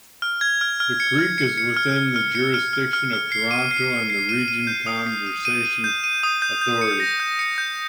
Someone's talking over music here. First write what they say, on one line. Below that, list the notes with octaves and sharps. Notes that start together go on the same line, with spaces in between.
The creek is within the jurisdiction of the Toronto and Region Conservation Authority.
F6
G#6
F6
F6
C#7
F6
C#7
C#7
F6
F6
F6
C#7
F6
F6
F6
F6
C7
D#7
C7
C7
C7
D#7
D#7
G6
D#6
C7
D#7
D#7
D#7
G6
D#7
D#6
G6
G6
C#7
A#6
G6
C#7
G6